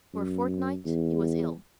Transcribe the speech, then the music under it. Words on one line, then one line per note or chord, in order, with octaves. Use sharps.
For a fortnight he was ill.
F#2
E2